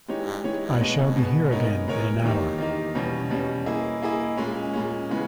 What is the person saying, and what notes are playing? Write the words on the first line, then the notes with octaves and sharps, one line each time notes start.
I shall be here again in an hour.
E3 G#3 D#4 G4 C#5
E3 G#3 D#4 G4 C#5
B2 G#3 B3
B2 G#3 B3
G#3 B3 D#4 A#4 C#5
G#3 B3 D#4 A#4 C#5
E2 D#3 A#3 D#4 G4
E2 D#3 A#3 D#4 G4
E2 B2 G3 C#4
E2 B2 G3 C#4
A#3 E4 G#4 D#5
A#3 E4 G#4 D#5
A#2 G#3 C#4
A#2 G#3 C#4
C#3 E3 G#3 B3